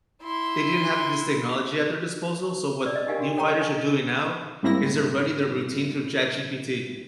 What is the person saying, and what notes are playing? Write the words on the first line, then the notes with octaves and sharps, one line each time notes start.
they didn't have this technology at their disposal, so what new fighters are doing now is they're running their routine through ChatGPT,
E4 C6
D5 E6
D#5
D4 D#4 G4 A#4 F5 G#5
D4 F#4
A4 C#5 G5 A5 A#5 C#6
D#5 G#5
G#2 G3 A#3 C4 E4 A#6